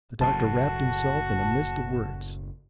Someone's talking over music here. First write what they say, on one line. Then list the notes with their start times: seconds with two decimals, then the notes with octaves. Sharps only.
The doctor wrapped himself in a mist of words.
0.21 F#1 A2 F#4 A5